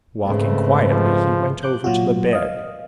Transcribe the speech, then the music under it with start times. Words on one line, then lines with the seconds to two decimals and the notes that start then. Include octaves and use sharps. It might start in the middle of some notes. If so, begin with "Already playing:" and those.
Walking quietly, he went over to the bed.
0.25 G#2 C#3 A3 C4 B4
0.92 F3
1.63 D6 F#6 G6
1.84 A#2 F#3 F4 F#4
2.33 D#5 F5